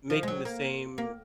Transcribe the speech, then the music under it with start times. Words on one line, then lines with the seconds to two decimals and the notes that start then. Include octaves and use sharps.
making the same
0.10 F3
0.23 G#3
0.28 F#3
0.45 A#3
0.98 A#3